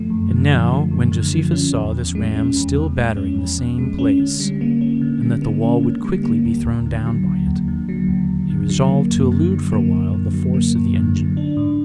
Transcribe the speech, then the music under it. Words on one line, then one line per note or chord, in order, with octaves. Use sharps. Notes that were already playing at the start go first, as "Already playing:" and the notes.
And now, when Josephus saw this ram still battering the same place, and that the wall would quickly be thrown down by it, he resolved to elude for a while the force of the engine.
Already playing: F#2 D3 F3 A3
F#2
D3
F3
A3
F#2
D3
F3
C#4
E2
B2
G#3
C#4
E2
B2
G#3
C#4
E2
B2
G#3
C#4
D3
G3
A#3
C#4
D3
G3
A#3
C#4
D3
G3
A#3
D#2
D#2
D3
F#3
D#2
D#2
D3
F#3
D#2
D#2
D3
F#3
A#3
F#2
D3
F#3
A#3
F#2
D3
F#3
A#3
F#2
D3
F#3
D4
G#2